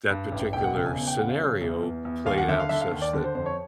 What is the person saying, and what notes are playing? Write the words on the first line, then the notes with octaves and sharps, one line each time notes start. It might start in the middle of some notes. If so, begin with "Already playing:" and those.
that particular scenario played out such that
G2
A1
E1 G5
F#5
C#3 G5
G#5
E2 G#5
G5
C#3 F#5
F5
F#3
E2
E2
E2
D#2 F5
F#5
D3 E5
F5
D3 E5
F5
D#2
D5
D3
C5
F2 C5
C#5